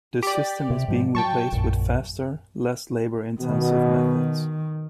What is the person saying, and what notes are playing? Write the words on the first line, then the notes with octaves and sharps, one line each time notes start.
This system is being replaced with faster, less labor-intensive methods.
G4 D5
C3
G#2 F3
F#3 G5 A5 C#6
A#1 F#2
B2 D#3